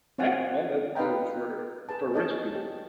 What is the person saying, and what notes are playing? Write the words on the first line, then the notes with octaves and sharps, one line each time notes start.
Yeah, well, that goes for for rich people.
C4 C#5 F5 F#5 G#5
D#4 B4 D#5 F5 G5 A#5
G#4 B4 A5
C#5 D#5 A5
G4